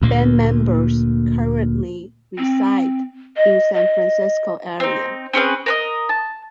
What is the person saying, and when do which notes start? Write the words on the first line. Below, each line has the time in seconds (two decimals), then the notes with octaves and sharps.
Band members currently reside in San Francisco area.
0.02 D2 A#2 A#3
2.38 C4
3.37 D#5
3.74 D#5
4.80 C4 D#4
5.33 C4 C#4 G#4 B4
5.66 A#4 B4 D#5
6.09 A5